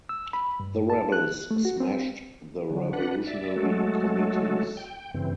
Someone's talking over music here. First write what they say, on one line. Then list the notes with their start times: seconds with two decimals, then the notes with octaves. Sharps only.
The rebels smashed the revolutionary committees.
0.09 E6
0.33 B5
0.60 G2
0.90 A5
1.12 F#6
1.51 A3
1.65 F#4
1.80 C4
2.70 D3 F#3
2.93 D4 B4 F#5
3.27 D5 E5
3.56 F#3 G#3 A3 F#4 A4
4.77 G5
5.14 G2 C#3 E3 C4